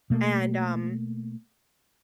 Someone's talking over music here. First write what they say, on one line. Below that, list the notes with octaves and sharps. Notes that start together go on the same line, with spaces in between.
and, um,
B2 A3 A#3